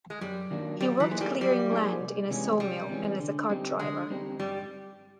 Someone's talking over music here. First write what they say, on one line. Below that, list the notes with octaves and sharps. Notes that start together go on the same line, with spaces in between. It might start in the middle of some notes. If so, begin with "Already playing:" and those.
He worked clearing land, in a sawmill, and as a cart driver.
G#3
F#2 G3
D#3 F#3 A#3 D4
F#3 G3
E3
A#3 D#4 G#4 C5
G3
F#3 G3
A#3 D#4 G#4 C5
C2
C3 E3 G#3 C#4
C2 G3
C3 E3 G#3 C#4
D3
G3 C4 D#4
D3 G#3
G3 C4 D#4
G2 G3